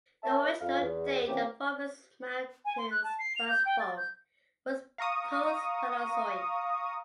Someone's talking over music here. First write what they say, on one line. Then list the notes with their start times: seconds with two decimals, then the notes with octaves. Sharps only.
The original date of the Roberts Mountains thrust fault was post-Paleozoic.
0.24 C#4 A#4 C#5 E5 A5
0.61 F2 F5
0.81 E2
1.28 C3 E3 A#3 C4 C#4 G4
2.65 G#5
2.78 C6
2.91 F#6
3.04 A5
3.19 C7
3.36 F7
3.48 G6
3.65 G5
3.80 A6
3.97 G6
4.98 F5 A#5 C#6 D#6